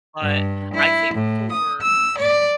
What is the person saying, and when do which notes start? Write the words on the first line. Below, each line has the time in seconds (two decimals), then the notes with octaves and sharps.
but I think for
0.22 G2
0.73 E4
1.13 A2
1.51 D#6
1.81 E6
2.18 D5